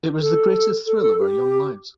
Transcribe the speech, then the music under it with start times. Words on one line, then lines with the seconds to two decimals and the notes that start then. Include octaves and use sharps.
It was the greatest thrill of our young lives.
0.21 A4
0.87 A4
1.02 A4
1.19 G4